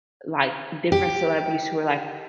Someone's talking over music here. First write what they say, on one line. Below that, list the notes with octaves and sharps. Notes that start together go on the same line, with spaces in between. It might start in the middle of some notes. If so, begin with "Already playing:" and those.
like different celebrities who were, like,
G4